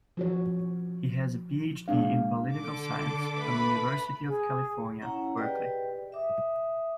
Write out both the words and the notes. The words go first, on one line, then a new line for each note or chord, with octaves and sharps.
He has a Ph.D. in political science from University of California, Berkeley.
F3 F#4 C#5
A#2 G#3 D4 F5
D3 A4 D6
A3 B4 B5
G#4
C#4 E4 C#5 F#5 A#5
G4 G#4 B4 D5 D#5 G5
E5 D6 D#6